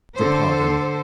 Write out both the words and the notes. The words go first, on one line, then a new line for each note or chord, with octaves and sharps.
The Pardon.
D3 A4 C5